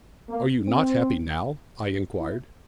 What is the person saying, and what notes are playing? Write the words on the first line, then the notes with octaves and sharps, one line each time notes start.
"Are you not happy now?" I inquired.
A#3
C4
E4